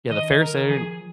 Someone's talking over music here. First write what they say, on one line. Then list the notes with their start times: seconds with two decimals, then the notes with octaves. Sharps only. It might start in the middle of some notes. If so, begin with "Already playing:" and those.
Yeah, the fair sar
0.10 D#3 D#5
0.40 D#3 A#4
0.69 F3 G#4